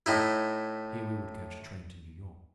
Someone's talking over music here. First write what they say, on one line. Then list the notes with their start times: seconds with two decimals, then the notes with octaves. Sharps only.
Here we would catch a train to New York.
0.06 A2 D#4 E4